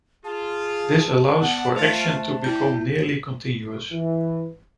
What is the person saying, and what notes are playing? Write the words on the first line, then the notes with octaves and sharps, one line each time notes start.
This allows for action to become nearly continuous.
F4 G#4 A5
B3 D5 F#5
A3 F4 C5 A6
G3 E4 G6
E3